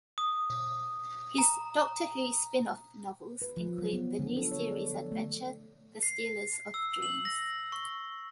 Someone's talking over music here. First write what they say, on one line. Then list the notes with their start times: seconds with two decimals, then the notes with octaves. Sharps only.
His "Doctor Who" spin-off novels include the New Series Adventure "The Stealers of Dreams".
0.18 D#6
1.38 A#5
3.42 B4
3.57 F3
3.78 F#3
3.93 B3
4.19 D3
4.37 A4
4.52 C#5
4.71 D5
4.93 F3
5.12 A3
6.03 C7
6.74 E6
7.02 F#7
7.25 A#6
7.72 C#6